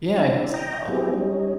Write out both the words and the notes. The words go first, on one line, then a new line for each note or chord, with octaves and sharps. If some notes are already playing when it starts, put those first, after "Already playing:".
Yeah, I guess so.
C4 D4 E4
D#5 G5 A#5
F#3 B3 C4 E4 G4 G#4
G3 C#4 D#4